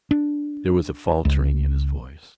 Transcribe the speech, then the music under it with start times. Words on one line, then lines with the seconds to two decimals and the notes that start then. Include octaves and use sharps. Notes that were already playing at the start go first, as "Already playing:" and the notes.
There was a faltering in his voice.
0.11 D4
1.25 C#2